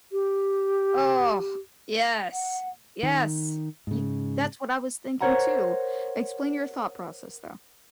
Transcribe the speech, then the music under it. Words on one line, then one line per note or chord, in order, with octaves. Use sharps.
Oh, yes. Yes. You that's what I was thinking too. Explain your thought process, though.
G4
F#5
D#3
G#2 C#3
A#4 C5 C#5 F#5 A#5